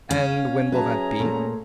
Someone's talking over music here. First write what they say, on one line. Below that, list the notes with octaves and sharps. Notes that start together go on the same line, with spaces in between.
"And when will that be?"
C#4 F5
F#3 G#4 B4 E5 A5 A#5
A#2 A3